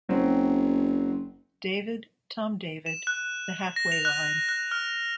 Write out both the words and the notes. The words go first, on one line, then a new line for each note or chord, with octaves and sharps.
David, Tom David, the half-way line.
F#1 F#3 C4
E7
F#6
A#6
F7
F#6
F#6
F6